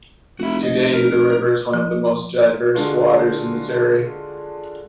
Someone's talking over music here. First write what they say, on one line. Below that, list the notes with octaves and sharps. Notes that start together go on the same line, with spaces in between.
Today the river is one of the most diverse waters in Missouri.
F1 E4 F#4
D#5
A#4
F3
D3 G#3 D4 F4 F#4